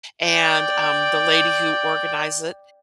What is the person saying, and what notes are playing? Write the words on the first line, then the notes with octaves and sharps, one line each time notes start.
and, um, the lady who organized it
D5 G5